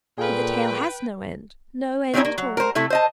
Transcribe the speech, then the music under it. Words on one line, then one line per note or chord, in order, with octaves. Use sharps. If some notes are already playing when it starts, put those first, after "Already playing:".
For the tale has no end, no end at all.
A#2 G#4 A4 B4 F5 G5
D#3 G3 C4 C#4 D#4 E4
A#3
F#3
A#4 C5
C3 A3 E4 A4
C5 D#5 A5